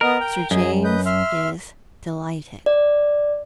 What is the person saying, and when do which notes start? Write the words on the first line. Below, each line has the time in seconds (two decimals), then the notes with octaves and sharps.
Sir James is delighted.
0.01 B3 A#4 D#5
0.20 G5
0.51 F#2 G#4 D#5
0.84 B4 D#5 G6
1.06 E5 C6 F6
2.66 D5